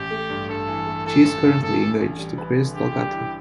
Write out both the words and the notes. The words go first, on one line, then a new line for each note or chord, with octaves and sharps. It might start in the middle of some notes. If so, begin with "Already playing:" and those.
She is currently engaged to Chris Delgatto.
Already playing: A1 G4
A3
G2
G2 A4
E3
A3
E3 A4
A1
A1
A1 A4
E3
A1
G3
B4
D3
D3 G4
G3
E4